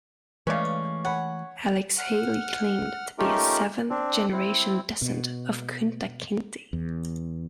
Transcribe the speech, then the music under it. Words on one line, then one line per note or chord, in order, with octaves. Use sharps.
Alex Haley claimed to be a seventh-generation descendant of Kunta Kinte.
C#3 E3 G#3 A3 C#4 B4 D5 F5
C#5 F#5 G#5 B5
F#5 F6
A3 C#4 D#4 F4 G4 A#4
C4 D4
C4 E4
B2
E2